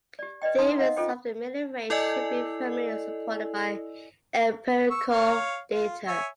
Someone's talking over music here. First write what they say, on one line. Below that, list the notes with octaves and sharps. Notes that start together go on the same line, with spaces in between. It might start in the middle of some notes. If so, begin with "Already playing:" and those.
Theories of the middle range should be firmly supported by empirical data.
G4 D5
B4 D5 D#5 G5
D#4 B4 A#5 C6 D#6
D#5 F5 F#5 A#5
C#4 F4 A4 C5 D#5 G5
E4 A4 D5 D#5 G#5 E6
C#6 E6
C#5 F5
F4
C#5 E5 G#5